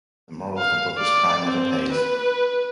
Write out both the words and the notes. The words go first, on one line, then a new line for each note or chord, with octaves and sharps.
The moral of the book is "Crime never pays".
F5
D5
C4
B4